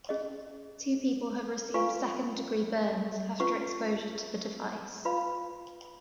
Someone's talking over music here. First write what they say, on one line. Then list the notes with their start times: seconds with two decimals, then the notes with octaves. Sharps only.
Two people have received second degree burns after exposure to the device.
0.09 C#4 G#4 D#5
1.74 F4 B4 F5 G#5 C#6
3.40 C#4 F4 B4 F#5 C#6
5.05 F4 B4 F5 B5